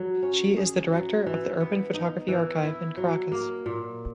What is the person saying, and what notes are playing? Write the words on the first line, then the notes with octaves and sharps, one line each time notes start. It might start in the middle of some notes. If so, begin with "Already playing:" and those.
She is the director of the Urban Photography Archive in Caracas.
Already playing: F#3
C#4
G#4
F#3
E3
B3
D#4
E3
E4
F#3
A#3
A#2